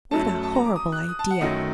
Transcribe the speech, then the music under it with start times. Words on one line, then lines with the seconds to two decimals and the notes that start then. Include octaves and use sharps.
What a horrible idea!
0.11 F#2 F#3 A3 A5
0.43 A5
0.55 A#5
0.65 D6
0.76 D#6
0.92 F#6
1.08 D#6
1.19 A5
1.30 F#5
1.41 F#2 D#3 F#3 A3 D#5